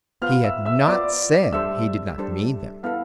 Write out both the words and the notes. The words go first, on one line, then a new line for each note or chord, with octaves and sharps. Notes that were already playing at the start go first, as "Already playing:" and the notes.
He had not said he did not mean them.
B3 F4 C5 F5 F6
E5 E6
E5 E6
B3 F4 C5 D5 D6
G3 D4 A4 C5 E5 E6
G3 D4 A4 C5
B3 E4 A4 F5 F6